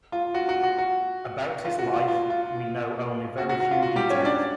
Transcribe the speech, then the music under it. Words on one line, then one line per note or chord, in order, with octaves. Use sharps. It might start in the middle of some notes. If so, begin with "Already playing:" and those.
About his life we know only very few details.
F4
F#4
F#4
F#4
F#4
F4
F#4
F4
F4
F4
F#4
F#4
F#4
F4
F#4
G3 G4
C#4 C#5
D4 D5